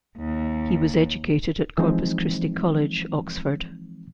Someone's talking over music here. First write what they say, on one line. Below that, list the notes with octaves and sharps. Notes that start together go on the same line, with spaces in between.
He was educated at Corpus Christi College, Oxford.
D#2
E3 F3 G#3 C4 D#4